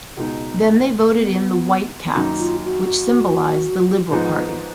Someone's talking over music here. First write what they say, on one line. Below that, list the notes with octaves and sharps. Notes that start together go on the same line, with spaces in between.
Then they voted in the white cats, which symbolized the Liberal Party.
C#2 B2 G#3 D#4
B3
B3
F#2 D#3 F#3 A#3 C#4 D#4
F4
F#4
G#2 F3 G#3 B3 D#4